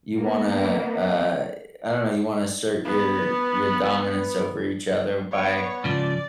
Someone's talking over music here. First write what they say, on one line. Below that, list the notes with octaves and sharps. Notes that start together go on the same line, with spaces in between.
you wanna, uh, I don't know. You wanna assert your your dominance over each other by
A#3 B3
B3 B4
B3 C#5
G#2 C#3 F3 D5